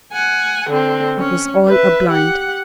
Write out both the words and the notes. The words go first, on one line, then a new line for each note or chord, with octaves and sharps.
That was all a blind.
F#5 G#5
D3 C4
C#4
B4 E5
G4 F#5